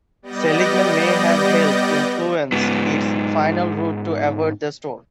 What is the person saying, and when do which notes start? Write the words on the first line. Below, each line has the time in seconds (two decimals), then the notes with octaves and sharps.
Seligman may have helped influenced its final route to avoid the store.
0.22 G3 B3 D5 D#5 G6 A#6
2.52 G#2 B3